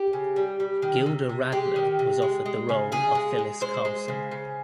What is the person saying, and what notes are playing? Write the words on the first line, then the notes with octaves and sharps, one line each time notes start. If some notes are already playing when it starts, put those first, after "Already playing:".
Gilda Radner was offered the role of Phyllis Carlson.
Already playing: G4
C#3
G3
G3
D#3
C3
C3
G#3 G4
D#3
C3
G#3
G#3
C#3
C#3 G#4
G#3
G#3
G#3 C5
G#3
C#3
C#3